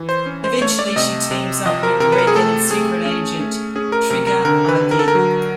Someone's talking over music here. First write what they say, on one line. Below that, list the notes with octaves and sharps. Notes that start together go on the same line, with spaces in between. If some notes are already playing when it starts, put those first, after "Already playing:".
Eventually she teams up with the redheaded secret agent Trigger Argee.
Already playing: E3
C5
C#4
C5
A3 C#5
D5
C3 D#5
C3
F3 D#5
A#4
C3 A#4
B4
A#4
G#4
A3 A4
A3 G#4
C#4
A3
C#4 G#4
A#4
C3 A#4
A#4
D3 A#4
B4
D3
A#4
A4
A#4
F#3